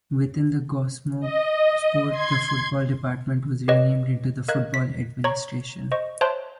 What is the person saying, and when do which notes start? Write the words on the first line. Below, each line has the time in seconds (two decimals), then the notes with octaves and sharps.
Within the Goskomsport, the football department was renamed into the Football Administration.
1.20 D#5
2.09 C6 G#6
3.68 G4 B4 C#5 D#5
4.48 A#4 D#5 F5 F#6 G#6
4.74 B6
5.24 C#5 A#5 C#6
5.92 C5 D#5 C#6
6.21 C5 C#5 E5 A5 C6 F#6